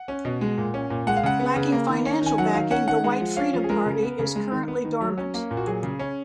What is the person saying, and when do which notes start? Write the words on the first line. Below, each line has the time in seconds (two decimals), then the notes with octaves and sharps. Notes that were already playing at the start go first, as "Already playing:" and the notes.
Lacking financial backing, the "White Freedom Party" is currently dormant.
Already playing: F#5
0.08 C#4
0.25 B2
0.41 G#3
0.58 A#2
0.74 C#4
0.90 A#2
1.07 G#3 F#5
1.17 F5
1.23 C#3 F#5
1.40 B3
1.56 C#3
1.72 A#3
1.89 D#3
2.05 C#4
2.22 D#3 G#5
2.38 F#3 F#5
2.54 D#3 F5
2.70 C#4 F#5
2.87 D#3 F#5
3.04 G#3 F#5
3.20 F3
3.36 C#4 F5
3.53 F3
3.64 G#4
3.70 G#3 A#4
3.86 C#3
4.03 B3
4.19 C#3
4.36 G#3
4.52 D#3
4.68 B3
4.85 D#3
5.01 F#3
5.18 C#4
5.34 A#3
5.51 A#2
5.57 F#4
5.67 F#3 G#4
5.83 C#3
5.99 C#4